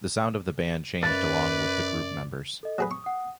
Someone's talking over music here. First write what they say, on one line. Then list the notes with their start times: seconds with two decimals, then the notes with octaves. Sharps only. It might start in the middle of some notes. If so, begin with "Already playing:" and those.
The sound of the band changed along with the group members.
1.03 F#2 B4 D5 A6
2.63 A4 D#5
2.78 F#3 G#4 B4 D#6
2.91 C#6
3.04 F#5 D#6